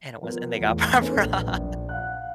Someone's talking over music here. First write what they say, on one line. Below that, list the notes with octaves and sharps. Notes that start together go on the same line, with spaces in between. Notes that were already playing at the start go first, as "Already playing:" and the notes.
and it was and they got Pop Rocks!
F3 B3 A#4
E2 A2
A#3 C4 C#4 D#4 A4 B4
A#1
A#1
F5 F#5 F#6